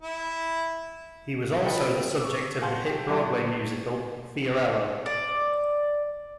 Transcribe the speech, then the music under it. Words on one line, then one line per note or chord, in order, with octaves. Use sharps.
He was also the subject of the hit Broadway musical Fiorello!
E4
F4 A4 B4 D#5 F5 G5
C#6 D6 E6
F5 F#5 G#5 A5 C6 G6
G4
F#3 E4 F#4 G4
C#6
D5